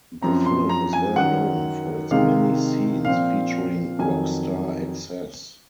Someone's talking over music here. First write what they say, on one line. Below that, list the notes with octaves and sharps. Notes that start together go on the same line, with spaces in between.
The film is well known for its many scenes featuring rock star excess.
F#2 F3 C4 A#5
C6
A#5
G#5
F#2 D#3 F#3 F#5
C3 D#3 G#3 D#4 F5
A#2 F3 C4 F5
F2 D#3 F#3 G#5